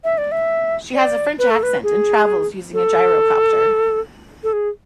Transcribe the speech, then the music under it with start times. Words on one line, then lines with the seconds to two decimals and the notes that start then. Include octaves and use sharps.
She has a French accent and travels using a gyrocopter.
0.04 E5
0.18 D5
0.32 E5
0.94 D5
1.39 B4
1.50 A4
1.63 B4
1.83 G#4
2.74 A4
4.44 A4
4.53 G#4